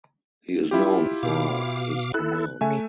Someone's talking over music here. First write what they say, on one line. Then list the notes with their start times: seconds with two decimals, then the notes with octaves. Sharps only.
He is known for his command.
0.71 E4 F4 G4
1.23 B2 F5 D6
2.14 E4 A4 F#6
2.61 C#3 A3 E5 G#5